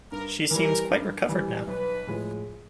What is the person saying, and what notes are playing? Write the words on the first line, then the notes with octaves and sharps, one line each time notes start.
She seems quite recovered now.
G2 A#4
E3 G3 A#4
G2
E3 G3
B1 B4
A2 F3 G#3